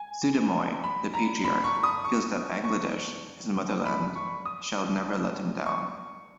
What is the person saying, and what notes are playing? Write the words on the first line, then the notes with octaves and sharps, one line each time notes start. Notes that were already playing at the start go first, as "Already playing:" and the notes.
Sudhamoy, the patriarch, feels that Bangladesh, his motherland, shall never let him down.
Already playing: G#5
B5
A#5
B5
C#6
D#6
C#6
C#6
B5
C#6
D#6
C#6